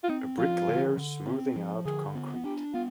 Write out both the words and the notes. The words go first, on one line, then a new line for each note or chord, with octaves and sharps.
A bricklayer smoothing out concrete.
F4
C4 D#4
F3 F4
D3
D3
C4
F3
D3 G#4
B3
D4 G4
B3 F4